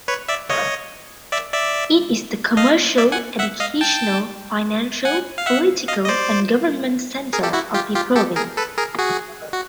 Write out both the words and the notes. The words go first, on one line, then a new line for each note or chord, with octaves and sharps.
It is the commercial, educational, financial, political and government center of the province.
B4 C#5
D5 E5
C#5 D#5
D5 E5
D5 E5
D#5 F5
D5 E5
F#5 G#5
E5 F#5
D#5 F5
G5 A5
F#5 G#5
F5
E5 F#5
D#5 F5
D#5
C5 D5
G#4 A#4
G4 A4
E4 F#4
F4 G4
F4 G4
G4 A4
G#4 A#4
A4 B4
G#4 A#4
F#4 G#4
F#4